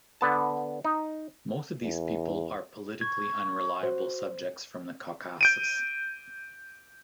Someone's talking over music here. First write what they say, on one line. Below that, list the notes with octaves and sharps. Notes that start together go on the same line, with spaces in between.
Most of these people are politically unreliable subjects from the Caucasus.
D3 B3 A5
D#4
E2
C#6 G#6
F#4 C5
G6 D7 D#7